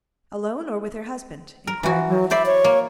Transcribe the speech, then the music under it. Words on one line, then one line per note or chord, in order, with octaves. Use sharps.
"Alone, or with her husband?" inquired Matvey.
A#4
E3 F#4
F#3
C5 D5 E5 B5
C#5
A#3